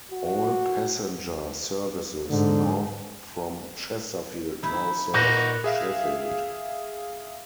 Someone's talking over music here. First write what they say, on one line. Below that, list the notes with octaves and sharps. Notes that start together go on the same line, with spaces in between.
All passenger services north from Chesterfield now serve Sheffield.
F#4
G#2 D3
D#4 E4
A#2 D#4 F#4
G#4 E5 F5